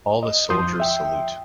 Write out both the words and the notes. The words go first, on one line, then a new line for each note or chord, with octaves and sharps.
All the soldiers salute.
D#5
F2 F3 C6 D#6 G6
E5 G5